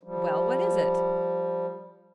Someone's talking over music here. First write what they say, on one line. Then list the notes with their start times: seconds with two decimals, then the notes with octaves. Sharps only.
"Well, what is it?"
0.03 F3 G3